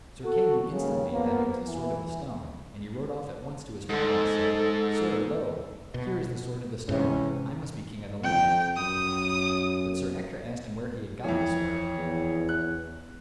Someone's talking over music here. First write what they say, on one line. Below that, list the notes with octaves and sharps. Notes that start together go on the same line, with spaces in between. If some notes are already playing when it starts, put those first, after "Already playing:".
Sir Kay knew instantly that it was the sword of the stone, and he rode off at once to his father and said, "Sir, lo, here is the sword of the stone; I must be king of the land." But Sir Ector asked him where he got the sword.
F#4 A4
D#2 C#3
F3 A#3 B3
E3
G#2 A4
B2
G#2 C3 E3 C#4
F2 G5
F#2 D#6
F2 E3 C#5
E2
F#6